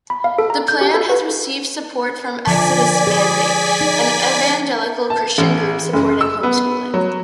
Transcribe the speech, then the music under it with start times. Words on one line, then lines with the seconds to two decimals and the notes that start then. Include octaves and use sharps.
The plan has received support from Exodus Mandate, an evangelical Christian group supporting home-schooling.
0.10 B5
0.24 F5
0.38 A4
0.50 A#5
0.68 G6
0.81 G4
0.94 A4
1.09 B4
2.47 D3 F3 D5 G#5 B6
3.07 G#4
3.81 D#4
5.10 A5
5.38 A1
5.93 F#1
6.21 E6
6.43 B3
6.94 F#3